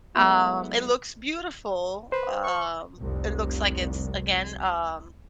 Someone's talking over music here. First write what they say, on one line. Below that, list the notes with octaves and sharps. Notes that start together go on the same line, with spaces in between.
Um, it looks beautiful. Um, it looks like it's again, um,
F#3 G#3 A3 B3 E4 F#4
B4 C5
C#6
F1 C2